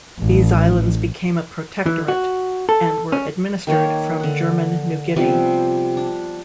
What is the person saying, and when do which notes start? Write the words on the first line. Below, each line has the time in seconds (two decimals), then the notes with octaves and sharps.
These islands became a protectorate and were administered from German New Guinea.
0.19 A1
1.86 E3
2.08 F#4
2.69 A4
3.12 C#4
3.67 D#3 A#3 C#5
4.20 D3 F#5
5.16 C3 F3 G3 B3
5.97 D4